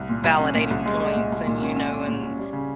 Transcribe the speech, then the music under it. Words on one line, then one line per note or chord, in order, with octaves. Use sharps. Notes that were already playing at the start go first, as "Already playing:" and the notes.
validating points, and, you know, and
Already playing: C2
A#2
C2
C#4
A#2
C2
G#3
G#3
A#2
C2
A#2
C#4
C#4
C#4
A#2
C#4
G3
C#3